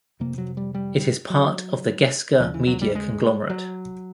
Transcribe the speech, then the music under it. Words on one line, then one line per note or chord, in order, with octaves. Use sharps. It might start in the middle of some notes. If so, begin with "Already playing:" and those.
It is part of the Gesca media conglomerate.
F2 C3 A#3
F#3
G3
G3
F#3
D#2 C#3 F3
E3
F#3
G3
G#3
F#3